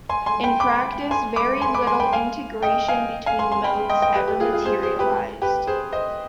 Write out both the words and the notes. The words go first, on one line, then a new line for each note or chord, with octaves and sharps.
In practice, very little integration between modes ever materialised.
G#5 C6
G#5 C6
G5 B5
B5 D6
G#5 C6
B5 D6
G#5 C6
B5 D6
G#5 C6
G5 B5
F5 G#5
D#5 G5
F5 G#5
F5 G#5
G#5 C6
G#5 C6
G5 B5
D#5 G5
D#5 G5
G4 B4
G4
F4 G#4
F4 G#4
G#4 C5
G#4 C5
G4 B4
G4 B4
G#4 C5
C5 D#5